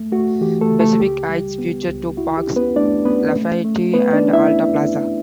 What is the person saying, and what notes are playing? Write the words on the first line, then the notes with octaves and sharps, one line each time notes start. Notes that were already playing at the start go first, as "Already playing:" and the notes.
Pacific Heights features two parks, Lafayette and Alta Plaza.
Already playing: A3
A3 F#4
E3 G4
A3 A4
C#3
A3 A4
C#2 G4
G3
B3
C#2
E4 F#4
G4
C#4
B3 B4
A3 D4 D5
B3 C#4 B4
A3
A3
A3 B3 B4
D4 D5
C#4
E4 E5